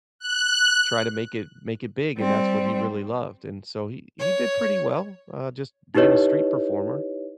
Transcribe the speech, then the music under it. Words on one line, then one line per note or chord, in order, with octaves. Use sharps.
try to make it make it big, and that's what he really loved, and so he he did pretty well, uh, just being a street performer,
F#6
G3 C4
C#5
D#4 E4 G4 B4 C#5 D#5